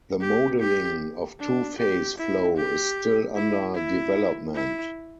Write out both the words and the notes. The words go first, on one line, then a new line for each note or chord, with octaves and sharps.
The modeling of two-phase flow is still under development.
G4
G4
D4
G4
E4
G4
E4
E4
E4